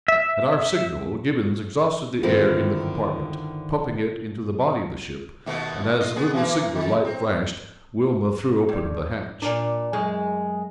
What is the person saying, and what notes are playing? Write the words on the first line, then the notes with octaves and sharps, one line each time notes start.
At our signal, Gibbons exhausted the air in the compartment, pumping it into the body of the ship, and as the little signal light flashed, Wilma threw open the hatch.
E5
G2 D3 D#3 C4 E4 F4
D#2 B2 A3
F4 D#5
B3 G#4
E3 A#3
D#3
C4
G2
A#2 D4
F#2 G#3 G#4